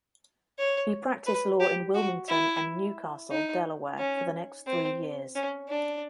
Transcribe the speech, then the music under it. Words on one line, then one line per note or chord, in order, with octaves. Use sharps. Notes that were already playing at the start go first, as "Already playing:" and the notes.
He practiced law in Wilmington and New Castle, Delaware, for the next three years.
C#5
B4
G4
F#4
E4
D#4
C#4
C4
C#4
D4